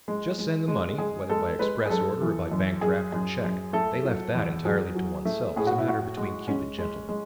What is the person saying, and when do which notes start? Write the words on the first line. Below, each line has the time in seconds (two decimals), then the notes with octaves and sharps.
Just send the money whether by express order or by bank draft or cheque, they left that entirely to oneself, as a matter between Cuban gentlemen.
0.08 G#3
0.38 G#3
0.68 G#3
0.98 G#3 G#4
1.30 G#3 A4
1.59 G#3 B4
1.86 G#4
1.90 F#2 A4
2.21 E3
2.51 F#2
2.81 F#2 G#4
3.12 F#2
3.44 F#2
3.73 A3 A4
4.04 F#3
4.35 E2
4.65 F#3 G#4
4.95 F#3
5.25 A3
5.56 A2 G#4
5.67 F#4
5.78 E4
5.87 A2 F#4
6.17 G#3
6.48 G#3 C#4
6.78 G#3
7.09 G#3